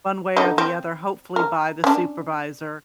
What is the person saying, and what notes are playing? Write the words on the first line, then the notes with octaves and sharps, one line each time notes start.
one way or the other, hopefully by the supervisor.
D3 D#4
C4
A#4
C#4 D4